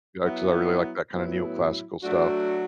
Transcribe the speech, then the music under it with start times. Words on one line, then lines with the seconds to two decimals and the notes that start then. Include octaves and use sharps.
Yeah, 'cause I really like that kind of neoclassical style.
0.23 F#3 B3 E4
1.13 A2 F#3 B3 E4
2.03 F#3 A3 D4 F#4